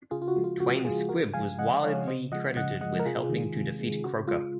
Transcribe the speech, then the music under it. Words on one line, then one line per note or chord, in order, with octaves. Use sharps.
Twain's squib was widely credited with helping to defeat Croker.
C#3 F4 G#4
F4
F#4
F3 G#3
F4
C#3 F#4
F3 G#3 F4 G#4
C#3 F#4 A#4
F3 G#3 F5 G#5
C#3 D#5 F#5
F3 G#3 C#5 F5
C#3 C5 D#5
F3 G#3 D#5 F#5
C#3 D#5 F#5
F3 G#3 D#5 F#5
A#4
C3 F4 G#4
D#3 G#3
C3
D#3 G#3
C#3 F#4
G#3 F4